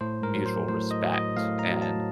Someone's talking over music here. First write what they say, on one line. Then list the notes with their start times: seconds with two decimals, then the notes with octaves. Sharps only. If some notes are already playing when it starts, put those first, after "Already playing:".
mutual respect and
0.01 A2 C5
0.23 A#4
0.35 F#3
0.46 C5
0.69 A2 C5
0.91 D#5
1.03 F#3
1.14 D#5
1.37 A2 F5
1.59 A#5
1.71 F#3
1.82 A5